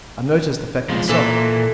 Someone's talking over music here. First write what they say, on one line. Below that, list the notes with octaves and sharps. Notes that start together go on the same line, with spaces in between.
'I noticed the fact myself.'
F3 G#3 F4
A#2 E3 A4